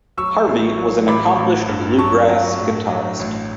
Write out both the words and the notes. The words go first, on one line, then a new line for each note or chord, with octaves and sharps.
Harvey was an accomplished Bluegrass guitarist.
F#3 C#6 E6
A1
F#3
A1 B5 D6
A1
G2
F#3 A5 C#6
F#3
A2
F#3
A1